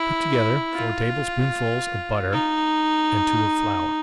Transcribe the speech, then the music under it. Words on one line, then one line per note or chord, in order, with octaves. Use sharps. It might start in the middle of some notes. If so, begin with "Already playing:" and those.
Cook together four tablespoonfuls of butter and two of flour.
Already playing: E4
F4
D#4